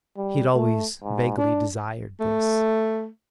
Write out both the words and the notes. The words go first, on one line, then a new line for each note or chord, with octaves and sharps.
He had always vaguely desired this.
G3
A3
G#2
D4
A3